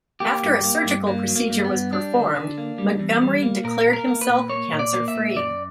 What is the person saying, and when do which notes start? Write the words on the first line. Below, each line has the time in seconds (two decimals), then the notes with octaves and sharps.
After a surgical procedure was performed, Montgomery declared himself cancer-free.
0.20 A#3 G4
0.43 G2
0.64 A#3
0.85 G2
1.06 G2 A#3
1.28 F#3
1.36 A#3
1.50 G2
1.64 B3
1.72 G2
1.92 G3 D4
2.14 D3
2.36 D3
2.58 A#3
2.78 G3
2.99 E2
3.22 G3
3.43 A#3
3.64 A#2 A#4
3.85 A#3
3.93 A#4
4.08 A#3
4.21 B4
4.29 A#2
4.50 A#3 C#5
4.72 A#2
4.79 D5
4.93 A#3
5.08 E5
5.15 A#2
5.36 F#2 D5